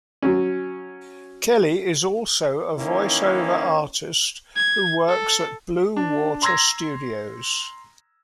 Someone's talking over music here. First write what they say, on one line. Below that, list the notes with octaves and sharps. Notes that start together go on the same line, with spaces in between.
Kelly is also a voice-over artist who works at Blue Water Studios.
F#3 C#4
D#3 E3 A#3 C#4 E4
G#6
A4
D4
A#5 C6 E6 G#6 A#6